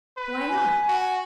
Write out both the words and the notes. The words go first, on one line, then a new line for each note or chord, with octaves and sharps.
Why not?
B4
G#5
F#4